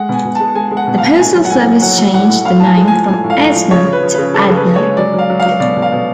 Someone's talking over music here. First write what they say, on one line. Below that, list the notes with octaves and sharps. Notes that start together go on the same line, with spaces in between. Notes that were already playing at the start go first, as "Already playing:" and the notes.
The Postal Service changed the name from "Edna" to "Adna".
Already playing: G#3 F#5
B2 G#5
B2
G#3 A5
G#3 G#5
G#3
F#5
B2
F5
B2
A2 G#5
F#3
F#5
A2 G#5
F#3
F#3 F#5
F#3
A2 F#5
A2
A2 F5
A2 A5
G#5
G#3
G#5
F3
A2 G#5
A2
F5
A2
F3
C#3 C#5
C#3
B4
F3
C#3 B4
C#3 A4
C#3
B4
C#3
C#5
G#3
F#3 D5
F#3
F5
F#3
F5
F#3
B2 D5
B2
F5
B2